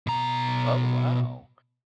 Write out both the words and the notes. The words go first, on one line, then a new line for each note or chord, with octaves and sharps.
Oh wow,
B2 A#5